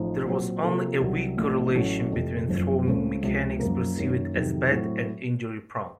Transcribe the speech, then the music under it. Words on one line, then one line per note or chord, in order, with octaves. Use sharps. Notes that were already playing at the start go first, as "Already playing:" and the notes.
There was only a weak correlation between throwing mechanics perceived as bad and injury-prone.
Already playing: A1 A2 F3 D#4
A#2 F#3 C4
C3 F3 A#3 F4 A4
C2 C3 F#3
A1 A2 F3
A1 A2 F#3 A3 C#4
F1 F2 C3
F#1 F#2 F3
C#2 C#3 A3 C4
C#2 C3 F3
F#2 F3 A#3
F#2 D#3 F#3 A#3 C#4
F2 C3 D#3 F#3
A2 F#3 C4 F#4